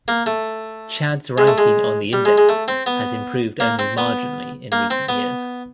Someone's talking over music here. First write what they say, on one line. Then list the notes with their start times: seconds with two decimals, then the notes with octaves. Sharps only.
Chad's ranking on the index has improved only marginally in recent years.
0.08 A#3
0.26 A3
1.38 G#3
1.47 A3
1.58 G#3
2.13 G3
2.25 G#3
2.38 G#3
2.49 A3
2.68 C4
2.86 B3
3.60 A#3
3.79 C4
3.98 B3
4.72 A#3
4.90 C4
5.09 B3